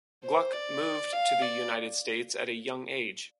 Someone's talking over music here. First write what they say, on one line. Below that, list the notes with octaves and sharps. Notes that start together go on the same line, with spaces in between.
Gluck moved to the United States at a young age.
C5
D5
F5
D5